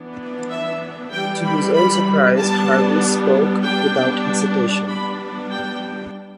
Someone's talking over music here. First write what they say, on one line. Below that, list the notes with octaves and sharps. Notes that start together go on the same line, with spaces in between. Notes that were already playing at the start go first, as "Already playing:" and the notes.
To his own surprise Harvey spoke without hesitation.
Already playing: E3 B3 D4
E5
E3 G3 D4 G5
B5
B5
G3 B3 D4 A5
G3 B3 D4 G5
G3 B3 D4 B5
G5